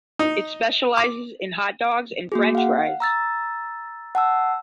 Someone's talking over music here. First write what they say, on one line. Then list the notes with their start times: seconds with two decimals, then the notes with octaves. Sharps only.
It specializes in hot dogs and french fries.
0.19 D#4
0.97 D6
2.32 A#3 F#4 G#4
2.55 F5 F#5
3.00 A#5 E6 A6
4.15 F#5 A5 E6